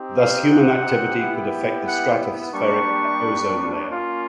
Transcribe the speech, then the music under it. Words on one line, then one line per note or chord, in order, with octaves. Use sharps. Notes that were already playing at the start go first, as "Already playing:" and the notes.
Thus human activity could affect the stratospheric ozone layer.
Already playing: C4 D#4 G4
F5
F#5
B3 E4 G4
F#5
G3 A#3 D4 G4 C#6
A#3 C#4 F4